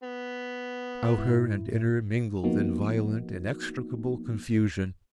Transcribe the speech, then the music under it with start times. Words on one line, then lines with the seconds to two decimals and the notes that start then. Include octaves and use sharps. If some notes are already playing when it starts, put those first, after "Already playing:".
Outer and inner mingled in violent, inextricable confusion.
0.03 B3
1.15 G#2 E4
2.44 F3 A#3 B3 D#4 F#4